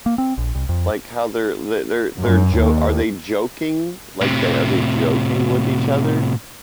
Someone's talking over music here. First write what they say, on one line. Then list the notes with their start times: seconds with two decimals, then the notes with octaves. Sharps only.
Like, how they're the they're they're jo are they joking? Like, they are they joking with each other?
0.06 A#3
0.18 C4
0.38 A#1
0.55 C2
0.69 F2
2.20 F#2
2.56 D#2
4.21 A2 C3